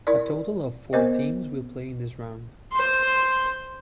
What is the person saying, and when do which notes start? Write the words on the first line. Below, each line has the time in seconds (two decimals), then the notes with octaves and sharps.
A total of four teams will play in this round.
0.07 E4 A#4 D5
0.93 B3 A#4 C5 D#5
2.72 C5 C6